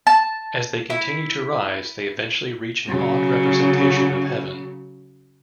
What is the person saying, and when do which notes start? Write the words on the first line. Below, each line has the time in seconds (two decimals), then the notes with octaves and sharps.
As they continue to rise, they eventually reach an odd representation of heaven.
0.07 A5
0.90 E4
2.89 C#3 F#3